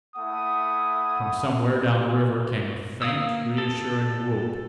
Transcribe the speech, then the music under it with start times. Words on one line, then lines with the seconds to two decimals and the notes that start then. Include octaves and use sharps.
And from somewhere down the river came a faint reassuring whoop.
0.16 A3 E4 F#5 D#6
3.02 A#3 F5 D#6 E6
3.58 A4